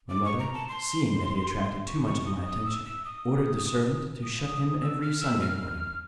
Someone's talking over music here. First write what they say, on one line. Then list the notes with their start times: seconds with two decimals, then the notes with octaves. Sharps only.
My mother, seeing that he attracted too much of my attention, ordered the servant to shut him every Sunday morning.
0.10 D6
0.24 C#6
0.39 A#5
0.54 A5
0.69 C6
1.87 C#6
2.06 C#6
2.26 D#6
2.45 D#6
2.65 E6
2.85 E6
3.05 D#6
4.23 D#6
4.82 E6
5.02 F6
5.21 E6
5.41 F6